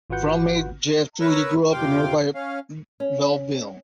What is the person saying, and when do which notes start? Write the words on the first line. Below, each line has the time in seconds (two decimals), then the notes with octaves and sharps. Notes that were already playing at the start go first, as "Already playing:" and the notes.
Frontman Jeff Tweedy grew up in nearby Belleville.
0.10 G#1 F4 F#4 B4 F#5 G6
1.20 A#4 B4 C#5 E6
1.72 F2 C3 F5 G5 C6 D6
2.35 C#4 F5
3.00 C#4